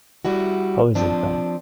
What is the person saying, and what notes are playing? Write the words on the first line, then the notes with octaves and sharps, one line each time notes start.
How is it bad?
G3 E4 F#4
F3 C4 D4